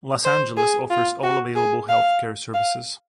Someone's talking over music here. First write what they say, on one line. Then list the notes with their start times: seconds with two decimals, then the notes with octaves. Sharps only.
Los Angeles offers all available health care services.
0.25 C5
0.57 G#4
0.90 F4
1.23 F#4
1.56 G#4
1.89 F5
2.54 F5